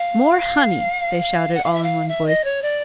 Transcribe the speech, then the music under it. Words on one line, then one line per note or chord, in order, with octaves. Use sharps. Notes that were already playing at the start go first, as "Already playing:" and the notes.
"More honey!" they shouted, all in one voice.
Already playing: F5
F#5
F5
E5
F5
E5
D#5
C#5
D5